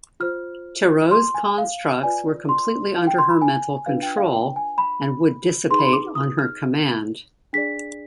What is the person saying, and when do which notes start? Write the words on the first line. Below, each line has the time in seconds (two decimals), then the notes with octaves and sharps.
Tarot's constructs were completely under her mental control, and would dissipate on her command.
0.20 F4 C5 F6
1.11 C6
1.34 G#5
1.58 F5
2.03 F4 B4 D5 G#5
2.49 C6
2.96 F5
3.07 G5
3.18 C6
3.30 B5
3.41 G#5
3.86 D4 F4 B4 F5
4.03 G5
4.17 F5
4.32 G5
4.56 G#5
4.78 B5
5.70 D#4 G#4 B4 C6
5.79 B5
5.86 C6
5.93 D6
6.15 D#6
6.39 F6
7.53 D4 G#4 D5 B6